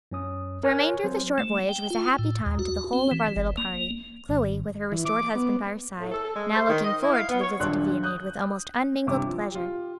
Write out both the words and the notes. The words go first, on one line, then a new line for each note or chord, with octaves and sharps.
The remainder of the short voyage was a happy time to the whole of our little party, Chloe, with her restored husband by her side, now looking forward to the visit to Viamede with almost unmingled pleasure.
F#2 C#4 D#6
A#4 C#5 G#5 C#6 F6 F#6
F#3 C4 C5
A3
G5
F4
A2
D#2
F#4
C4
E3
G1
A#3
G#1
E3
D6
B3
A2
A4
A4
G#3
C5
D#3
D#5
E4
F5
B3
C#5
D#1 A#1 G3 D4 C6 F#6
D#6 F#6 G6
A1 G2 C3 G3 D6
F3
F4 G4